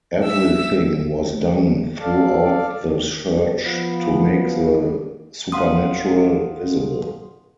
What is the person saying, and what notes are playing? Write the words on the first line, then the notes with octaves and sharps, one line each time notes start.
Everything was done throughout the church to make the supernatural visible.
E5 E6
A4 D5 F5
F3 B3
F5 F#5 C6 D#6